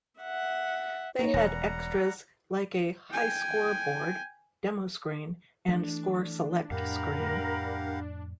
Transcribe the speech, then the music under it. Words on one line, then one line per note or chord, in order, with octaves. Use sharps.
They had extras like a highscore board, demo screen, and score select screen.
E5 F#5
A#3 C#4 D#4 A#5
E1 G3 F#5 A#5 A#6
G5 G#5
E3 A3 D4
F2 A2 G4 A#4 F5 F#5 B5